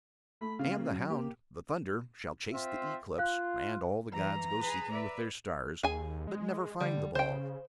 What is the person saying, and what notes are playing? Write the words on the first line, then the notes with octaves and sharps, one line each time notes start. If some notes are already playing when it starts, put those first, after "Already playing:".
And the hound, the thunder, shall chase the Eclipse and all the gods go seeking with Their stars, but never find the ball.
A3 B5
C#3 C4 F5
A#3
F#3
A#3 G4
C4 F4 E5
F4 F5 F#6
E3 A#5
G#4 B4
B4 D5 E5
D#2 G#4 G#5
G#3
D3 G3
C#3 C5 G5